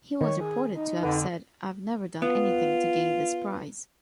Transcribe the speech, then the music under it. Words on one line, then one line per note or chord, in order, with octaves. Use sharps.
He was reported to have said, I've never done anything to gain this prize.
D#3 C#5
G#4
D#4
F2 D3 B4
B3 F4